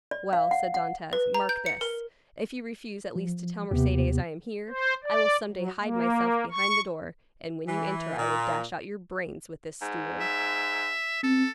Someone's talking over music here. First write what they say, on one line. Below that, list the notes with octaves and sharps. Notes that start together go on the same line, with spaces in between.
"Well," said Dantes, "mark this; if you refuse at least to tell Mercedes I am here, I will some day hide myself behind the door, and when you enter I will dash out your brains with this stool."
D5
F5
F#5
F#5
B4
A#5
G6
C#7
A#4
F3
D#2 C3 B3 G4
C5
D5
F#3
A#3
C#6
E3
A#2
G#2
E5
C4 A4